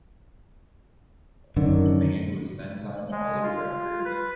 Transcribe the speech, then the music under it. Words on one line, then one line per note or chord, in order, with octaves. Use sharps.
The band was then signed to Hollywood Records.
F#2 D3 D#3
G#3
F4
B4